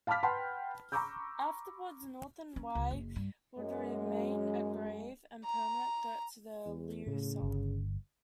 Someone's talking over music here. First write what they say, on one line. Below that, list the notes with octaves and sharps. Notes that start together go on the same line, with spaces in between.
Afterwards, Northern Wei would remain a grave and permanent threat to the Liu Song.
F5 A5 B5 D6 F6 B6
B4 F#5 G5 A5 B5 C6
A#5 B5 C#6 D6 E6 G6
C#4
C#2
F#1
G2
F#2 G#3
A#5
E2
A2 C#3
G1